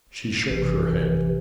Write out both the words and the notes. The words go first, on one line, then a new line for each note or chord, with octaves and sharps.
She shook her head.
A1 C3 E3